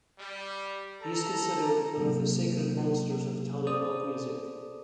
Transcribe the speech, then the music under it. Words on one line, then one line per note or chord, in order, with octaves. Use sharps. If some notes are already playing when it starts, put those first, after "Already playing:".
He is considered one of the "sacred monsters" of Italian pop music.
G3
A4 A#5
G#2 C3 F#3 A#3
G#4 A4 C5 D5 D#6